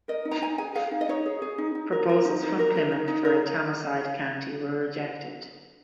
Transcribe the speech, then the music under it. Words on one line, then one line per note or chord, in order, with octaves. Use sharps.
Proposals from Plymouth for a Tamarside county were rejected.
A#4 D#5
D#4
A#5
D#4 G#5
G#4 G#5
G#4 F5
D#4
D#5
D#4 C#5
G#4
G#4
D#4
D#4
A#4
A#4
D#4
D#4
A#4
A#4
D#4
D#4
A#4